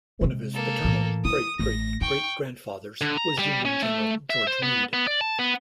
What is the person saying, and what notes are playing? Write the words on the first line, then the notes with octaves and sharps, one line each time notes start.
One of his paternal great-great-great-grandfathers was Union General George Meade.
C3 G#3
A#3 A4
A2 E3
E4 D#6
A1 A3 A#6
D#4 G5 C#6
D3
A#5
G3
C#4
A3
E5
C5
B3
B3
D5
A5
B3